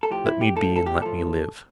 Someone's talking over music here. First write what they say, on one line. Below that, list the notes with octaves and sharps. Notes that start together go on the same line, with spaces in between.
Let me be and let me live.
A4
A2 F3 G4
E4
G4
A2 F3 A4
A4
G4
A2 F3 A4